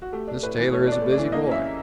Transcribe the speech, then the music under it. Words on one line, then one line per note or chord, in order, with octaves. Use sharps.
This tailor is a busy boy.
F#4
A3 G4
D4
A2 B4
E3
A3 C#5
D4 D5
A2
D5
E3
A#3 D#5
C#4 E5